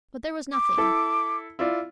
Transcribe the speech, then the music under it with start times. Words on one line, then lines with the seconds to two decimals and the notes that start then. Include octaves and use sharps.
But there was nothing.
0.52 D6
0.78 E4 A4
1.59 E4 F4 D5